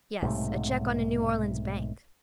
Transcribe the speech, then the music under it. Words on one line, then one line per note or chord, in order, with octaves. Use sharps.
"Yes, a check on a New Orleans bank."
B1 G#2 C3 A3